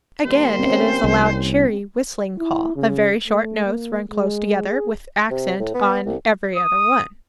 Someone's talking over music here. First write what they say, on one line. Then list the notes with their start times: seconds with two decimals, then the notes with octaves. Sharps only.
Again it is a loud cheery whistling call, of very short notes run close together, with accent on every other one.
0.25 D#3 G3 A#3 C5
0.59 C4 C#4
1.04 C2
2.37 E4
2.76 C#3
3.28 A3
3.65 A#3
4.11 G#3
4.69 G#4
5.31 C3
5.60 A2
5.74 B3
6.06 C2
6.55 D#6